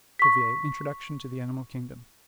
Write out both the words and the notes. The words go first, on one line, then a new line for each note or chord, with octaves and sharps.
Cuvier: Introduction to the Animal Kingdom.
C#6 B6